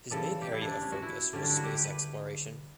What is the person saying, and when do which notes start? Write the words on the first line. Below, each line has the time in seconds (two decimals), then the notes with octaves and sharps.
His main area of focus was space exploration.
0.10 C#3 E3 G3 A4
0.42 G4
0.51 E4
0.61 D4
0.72 D4
0.82 C#4
0.92 F#4
1.02 E4
1.33 D3 G3 C#4
1.42 D4
1.49 E4
1.56 F#4
1.64 G4
1.74 G4
1.84 B4